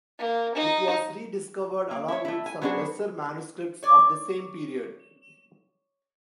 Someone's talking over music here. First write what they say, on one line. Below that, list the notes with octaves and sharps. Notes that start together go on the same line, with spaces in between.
It was rediscovered along with some lesser manuscripts of the same period.
A#3
D#4
A#3
E4 C#5
A3 E4
G#5
F#3 B3 C4 D4 G#4
C#5 D5